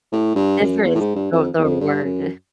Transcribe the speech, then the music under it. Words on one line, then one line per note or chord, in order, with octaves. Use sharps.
difference the their word.
A2
G2
F#2
E2
A2
G#2
G2
F2
E2
F2
G2
F#2